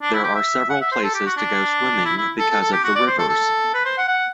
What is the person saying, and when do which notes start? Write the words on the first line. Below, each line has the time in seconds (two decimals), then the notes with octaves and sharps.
There are several places to go swimming because of the rivers.
0.02 D4
0.13 E4
0.24 G4
0.35 E5
0.70 F#5
0.81 E5
0.92 C5
1.04 A4
1.14 G4
1.26 F#4
1.36 D4
2.05 E4
2.17 E4
2.38 A4
2.50 A4
2.61 A4
2.72 G4
2.84 F#4
2.95 D5
3.07 C5
3.18 A4
3.29 A4
3.74 B4
3.85 C5
3.97 F#5
4.08 F#5